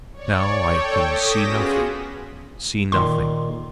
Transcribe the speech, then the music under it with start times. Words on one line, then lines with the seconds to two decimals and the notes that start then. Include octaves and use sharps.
Now I can see nothing--see nothing!
0.13 C#5 D5
0.56 A4 C#5 G5
1.06 D6 D#6 G6 A#6 B6 E7
1.43 B3 C#4 F4 F#4 G#4
2.92 A#2 D#3 C6